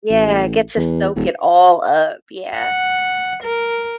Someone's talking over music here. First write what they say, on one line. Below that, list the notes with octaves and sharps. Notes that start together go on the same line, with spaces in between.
Yeah, get to soak it all up. Yeah.
A1
E2
D#1
F#5
A#4